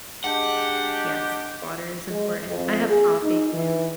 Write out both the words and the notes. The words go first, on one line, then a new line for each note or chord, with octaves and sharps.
Yes, water is important. I have coffee, too.
G#3 D4 G4 F#5
G#3
F2
G#4
D#4
E3